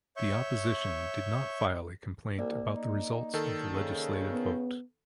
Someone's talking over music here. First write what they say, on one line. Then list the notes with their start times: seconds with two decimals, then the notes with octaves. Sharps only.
The opposition did not file a complaint about the results of the legislative vote.
0.17 C#5 E5 C#6 G6
2.38 C2 A#3 D5
2.75 D#4
3.34 D#3 A4
3.75 C#3
4.31 B3